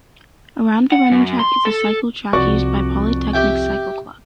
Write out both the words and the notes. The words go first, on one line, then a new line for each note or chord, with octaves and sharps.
Around the running track is a cycle track used by Polytechnic Cycle Club.
F#5
F#2
C6
A4
C2 F2 F#4 D5 C#6
G4 E5 G5